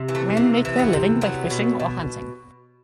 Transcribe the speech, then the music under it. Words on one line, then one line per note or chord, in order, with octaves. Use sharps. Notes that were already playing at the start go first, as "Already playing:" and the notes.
Men make their living by fishing or hunting.
Already playing: C3
E3
A3
C3 A#3
E3
B3
C3
F#3 B3
B2
B2